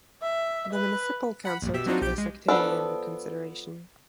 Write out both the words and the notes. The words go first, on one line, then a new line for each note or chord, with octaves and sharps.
The municipal council took this activity under consideration.
E5
B4
F#5 B5
A#1 G2
B2 G4 E5
F#3 C4 D4 D#4 F4 F#4
B1 G4 G6 D7
G#3
F3 B3 D4 A4